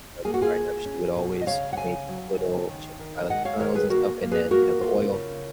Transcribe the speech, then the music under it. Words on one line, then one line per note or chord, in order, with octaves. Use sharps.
like, growing up, she would always make little she would just buy, like, the kernels, and stuff, and then, you know, the oil,
A#3 G#4
F#4
F4 G#4
F4
C#4
B2
D#5
C#3 C#5 F5
F#5
C#3 F5 G#5
F#3
C#3
D#3
D#3
G#3 D#5 F#5
C#5 F5
D#3 A#4 C#5
G#4 B4
A#3 F#4 A#4
A#3
G#4 B4
A#3 F#4 A#4
F4
C#3